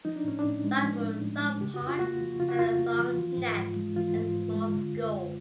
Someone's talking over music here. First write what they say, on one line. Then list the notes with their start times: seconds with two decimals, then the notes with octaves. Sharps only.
Like most sauropods, it had a long neck and a small skull.
0.05 F3 D#4
0.16 D4
0.24 A2 C#4
0.39 D4
0.44 A2
0.64 G#3
0.83 F3
1.03 A2
1.22 A2
1.42 G#3
1.61 C#3 G4
1.74 F#4
1.81 F2
1.87 F4
1.99 A#3 F#4
2.20 F3
2.40 C#3 F4
2.49 F#4
2.59 F2 F4
2.79 A#3
2.98 F3
3.18 E3
3.37 G#2
3.58 G#2
3.76 G#3
3.96 E3 F4
4.16 G#2
4.35 G#2
4.55 G#3
4.75 D3
4.94 F#2
5.13 F#2